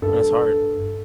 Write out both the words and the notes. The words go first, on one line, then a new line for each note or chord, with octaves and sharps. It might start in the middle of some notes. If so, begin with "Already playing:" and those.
but it's hard.
G2 A4